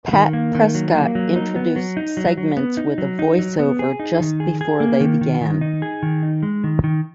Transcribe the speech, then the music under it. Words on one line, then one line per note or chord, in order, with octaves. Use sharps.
Pat Prescott introduced segments with a voiceover just before they began.
D#3
A#3
D#3
F#3
A#3
F#3
D#4
B3
F#3
D#4
F#3
F#3
B3
D#4
F#3
D#4
F#3
B3
G#4
D#4
D#3
G#4
G#4
A#3
D#3
D#3
D#3
D#4
G#4
D#3
D#4
G#3
D#3
D#3